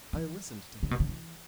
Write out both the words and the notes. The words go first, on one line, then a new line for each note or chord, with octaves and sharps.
I listened to him.
E3
C#3
B2
C#3
E3